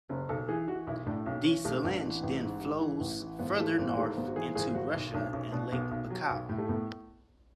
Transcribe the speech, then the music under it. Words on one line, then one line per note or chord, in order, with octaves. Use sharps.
The Selenge then flows further north into Russia and Lake Baikal.
F#1 C#4
B1 A4
E3 G#4
E3 F#4
B1 E4
A2 D4
B1 C#4
E3 C#4
B1 A3
A1 D4
E3
A1
G#2
G#2
E3
A1
E3
G#1 B3
E3 A3
G#1 B3
G#2 A3
G#1 B3
F#4
E3 G#4
G#1 G#4
G#1 F#4
B1
B1 D4
B1 C#4
B2 D4
B1 B3
B1
F#3
B1
A2
A3
A2 B3